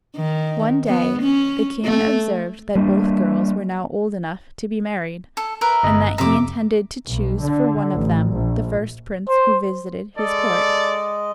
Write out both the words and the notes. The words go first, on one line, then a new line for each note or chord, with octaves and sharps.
One day the king observed that both girls were now old enough to be married, and that he intended to choose for one of them the first prince who visited his court.
D#3
B3
C#4
A3
G3 A#3 D4
A4
A#4 B4 E5
G1 D#5
F2 C3 E5 A#5 D6
B1
D3
A1
A#1
C5
G#3 A4 D5 D#5